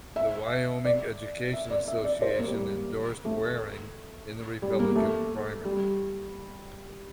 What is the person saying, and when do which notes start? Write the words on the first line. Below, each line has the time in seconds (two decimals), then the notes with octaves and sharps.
The Wyoming Education Association endorsed Waring in the Republican primary.
0.16 E5
0.85 D5
1.53 E5
1.70 D5
1.88 E5
2.04 D5
2.22 C5
2.39 A#3
2.47 G3
3.25 A3
4.62 G3
4.79 A#3
4.96 A3
5.65 G3